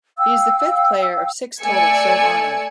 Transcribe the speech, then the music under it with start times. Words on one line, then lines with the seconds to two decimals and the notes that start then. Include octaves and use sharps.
He is the fifth player of six total so honored.
0.18 F5 G5 E6
1.61 A3 D5 G#5 E6 G#6 C#7